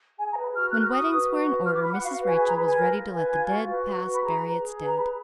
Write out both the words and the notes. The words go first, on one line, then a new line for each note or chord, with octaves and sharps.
When weddings were in order Mrs. Rachel was ready to let the dead past bury its dead.
G#4 G#5
A#5
B4
B5
F#4 F6
A#4 F#6
F6
F#4 D#6
B4
F#4
B4
B4 F6
D6
F4 B5
F#5
F#4 F5
F5
B4
G#5
G#4 G#5
A#5
B4 B5
G#5
A#4
F4
B4 G#5
F4
F#4
B4
F#4
B4
B5
G#4 A#5
B4
G#4
B4
A#5
G#4 B5